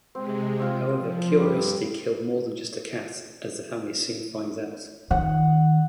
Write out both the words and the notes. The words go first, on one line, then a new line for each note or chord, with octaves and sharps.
However curiosity killed more than just a cat, as the family soon finds out.
C3 G#3 C4
C4 F4
F3
G2 G4 B4
D#3 F#5